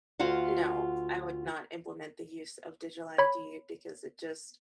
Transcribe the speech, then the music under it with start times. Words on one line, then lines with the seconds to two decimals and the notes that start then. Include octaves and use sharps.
No, I would not implement the use of digital ID, because it just uh,
0.19 D2 F4 F#4 F5 F#5
3.18 C#5 B5